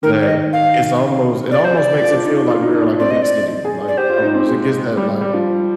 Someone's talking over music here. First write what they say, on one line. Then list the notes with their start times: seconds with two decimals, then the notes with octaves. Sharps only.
that it's almost it almost makes it feel like we are, like, a big city, like, almost. It gives that, like
0.03 D#3 A#4
0.22 D5
0.27 D#5
0.53 F5
1.51 D5
1.64 C5
1.77 D5
2.01 F3
2.12 D4
2.25 D#4
2.37 D4
2.50 F4
2.62 D#4
2.74 D4
2.86 D4
2.99 C4 D5
3.11 D#5
3.22 D5
3.65 G#4
3.81 G#4
3.88 D5
3.97 G4 C5
4.10 F4
4.22 D#4
4.34 C4
4.47 G#3
4.97 G3
5.08 G3
5.21 G3
5.33 F3